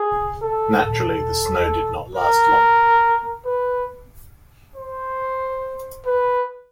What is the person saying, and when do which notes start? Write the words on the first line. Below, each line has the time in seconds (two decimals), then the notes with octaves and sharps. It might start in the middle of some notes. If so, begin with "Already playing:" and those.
Naturally, the snow did not last long.
Already playing: G#4
0.42 A4
0.86 A4
2.16 A#4
3.45 B4
4.76 C5
6.06 B4